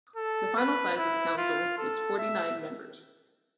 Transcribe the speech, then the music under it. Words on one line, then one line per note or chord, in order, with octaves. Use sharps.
The final size of the council was forty-nine members.
A4
B4
E4
F4
A4
E5